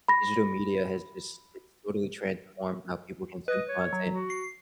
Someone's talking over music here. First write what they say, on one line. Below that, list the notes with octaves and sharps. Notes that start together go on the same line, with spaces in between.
digital media has just it's totally transformed how people consume content.
B5 A#6
B4 D#5
C#5
F#3
F#4
C7